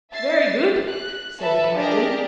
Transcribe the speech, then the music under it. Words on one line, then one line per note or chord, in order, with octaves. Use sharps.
"Very good," said the captain.
E5 A6 C7
F#6
A4 B4 E5 A5
D4 G4 G#4 A#4 D5 D#5